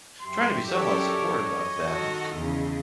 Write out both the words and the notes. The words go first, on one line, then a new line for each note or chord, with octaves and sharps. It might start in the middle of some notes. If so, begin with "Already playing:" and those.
trying to be somewhat supportive of them.
F#2 G4 E5 C6
A4 A#4 C#5 D5
D#5
D#3 F#4 A4
E2 C#3